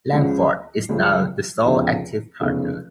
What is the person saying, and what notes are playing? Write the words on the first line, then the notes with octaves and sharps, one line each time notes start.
Langford is now the sole active partner.
C#2 C#3 F3
C#2 C#3 F3
F1 E2 C#3 F3
F1 E2 C#3 F3